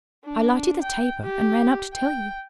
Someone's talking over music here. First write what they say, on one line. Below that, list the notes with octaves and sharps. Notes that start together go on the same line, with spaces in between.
I lighted the taper, and ran up to tell you.
D4
G5
G4
G5